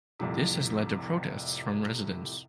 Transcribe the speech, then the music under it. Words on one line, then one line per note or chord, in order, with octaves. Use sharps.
This has led to protests from residents.
C2 F2 A2 C3